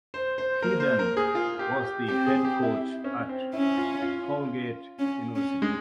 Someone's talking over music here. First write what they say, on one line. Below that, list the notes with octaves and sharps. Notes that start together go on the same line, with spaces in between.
He Then was the head coach at Colgate University.
C5
C5
A#3 A#4
C5
A#4
G#4
F4
G4
G4
C4 G4
G#4
G4
E4
C#4
C4
C#4 E4
F4
F4
C#4
C#4
G#3